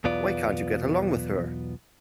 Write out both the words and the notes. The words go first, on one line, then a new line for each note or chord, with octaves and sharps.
Why can't you get along with her?
B1 E2 B3 F4 D5